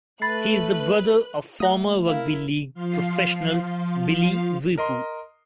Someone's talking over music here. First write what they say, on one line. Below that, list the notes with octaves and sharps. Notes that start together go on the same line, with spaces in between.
He is the brother of former rugby league professional Billy Weepu.
A3 B4 B5 F#6 A6 C7
A3 F#5 A#5 D#6
E4 A#4 F5
F3 F5 C6
A#4 D#5 C6